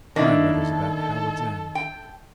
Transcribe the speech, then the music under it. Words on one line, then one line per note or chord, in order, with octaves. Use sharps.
My letter's about Howards End.
D#3 A#3 D4 E4 A4
G5